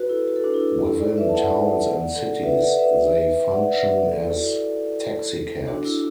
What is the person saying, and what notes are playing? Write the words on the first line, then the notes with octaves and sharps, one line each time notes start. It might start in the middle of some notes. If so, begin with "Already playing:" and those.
Within towns and cities, they function as taxicabs.
Already playing: F#4 B4
E4 A4
F#4
A4
D4 F#4
E4
E4 A4
A4 D5
D5
B4 E5
A5
D5 F#5
D5 F#5
A4 D5
B4 E5
D5 F#5
B4 E5
D5 F#5
B4 E5
A4 D5
E4 A4
F#4
E4 A4
D4 F#4
E4